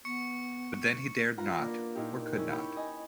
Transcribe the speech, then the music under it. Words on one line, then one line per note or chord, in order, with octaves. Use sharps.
But then he dared not — or could not.
B3 C#6 C#7
F4 B4 F#5 A#5
A#3 D4 D5
A#2 D#4 E4 G4
C#4 E4 G#4
G4 C#5 B5 G6 B6 C#7
D#5 G#5